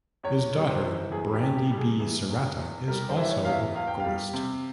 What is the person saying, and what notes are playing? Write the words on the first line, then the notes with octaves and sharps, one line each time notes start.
His daughter, Brandy Bee Serrata, is also a vocalist.
E2 C#5
G3
C5
E3
E2 G#4
G4
E2
G4
G3
G#4
E3 G#4
E2
E2
G3 A#4
C5
E3 E5
C#5
E2 F5
E5
E2 F5
G5
G3 F5
C3